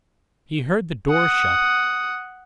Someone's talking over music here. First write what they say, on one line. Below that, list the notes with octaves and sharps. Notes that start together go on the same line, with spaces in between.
He heard the door shut.
F#5 D#6